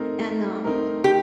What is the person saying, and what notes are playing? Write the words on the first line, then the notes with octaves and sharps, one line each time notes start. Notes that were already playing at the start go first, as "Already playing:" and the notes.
and, um,
Already playing: A3 C4 D#4 A#4
A3
C4 D#4 A#4
G4